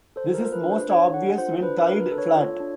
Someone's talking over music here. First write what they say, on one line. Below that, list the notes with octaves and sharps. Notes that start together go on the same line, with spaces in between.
This is most obvious when tied flat.
A4 C5
A#4
F4
B4
D4
C5
D4 C#5
A4 F#5
F4 C5
D4 B4
A#4
D4
B4
A4
C#5
F4
D4